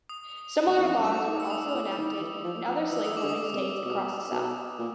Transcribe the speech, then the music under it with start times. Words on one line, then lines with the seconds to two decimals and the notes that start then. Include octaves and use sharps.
Similar laws were also enacted in other slave-holding states across the South.
0.09 D#6
0.67 E2
0.79 F2
0.92 F#2
1.03 G2 D6
1.27 G#2
1.40 E6
1.50 G#2 D#6
1.73 A2
1.97 D#3
2.21 E3
2.44 F3
2.68 F3
2.90 E3 E6
3.04 D#6
3.17 D6
3.23 D3
3.29 D#6
3.53 C3
3.85 B2
4.31 B2
4.79 A#2